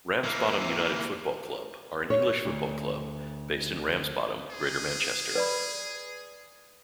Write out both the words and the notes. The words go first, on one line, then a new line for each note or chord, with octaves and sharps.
Ramsbottom United Football Club are an English football club based in Ramsbottom, Greater Manchester.
E3 A#3
C#5
D2
G#4
B4 D5 B5